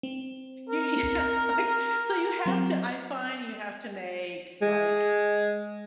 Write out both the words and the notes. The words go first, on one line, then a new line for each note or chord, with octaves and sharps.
Y yeah, like, so you have to I find you have to make, like
C4
A#4
F#3 C4
G#3